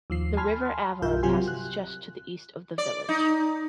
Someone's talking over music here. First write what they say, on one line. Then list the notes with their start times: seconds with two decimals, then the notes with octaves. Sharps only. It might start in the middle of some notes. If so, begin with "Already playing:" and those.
The River Avon passes just to the east of the village.
0.10 D#2 F3 C7
0.37 G#5 A5 B5 C6 F6
1.02 B1 G2 F4 A#4 E5 G6
1.23 C3 F#3 F4 G4 G#5 C6
1.48 F#6
2.78 D5
3.09 D#4